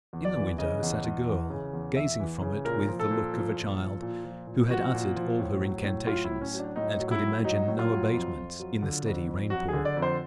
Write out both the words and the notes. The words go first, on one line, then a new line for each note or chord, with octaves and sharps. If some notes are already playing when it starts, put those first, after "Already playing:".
In the window sat a girl, gazing from it with the look of a child who had uttered all her incantations, and could imagine no abatement in the steady rain-pour.
E2
D5
E3
C#3 D#5
E2
E2
E3
C#3
E2
E2 E5
E3
C#3
A#2 A#4
F3
A4
A#2
F3
A#2
F3
A#2
F3
A#2
F3 F#4
A#2
F3
A2
F#3
A2
F#3 F4
E4
A2
C#4
F#3
D4
A2 D#4
F#3
E4
A2
F#3 D#4
A2
F4
F#3
F2
F2
F#3
D3
F2
F2
F#3 F#4
D3 G#4
D5
F2
C5